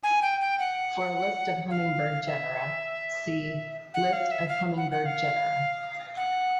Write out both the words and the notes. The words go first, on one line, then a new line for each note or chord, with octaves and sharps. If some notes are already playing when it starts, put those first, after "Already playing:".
For a list of hummingbird genera, see "list of hummingbird genera".
G#5
G5
G5
F#5
F5
E5
F#5
F5
E5
F5
F#5
F#5
F5
F#5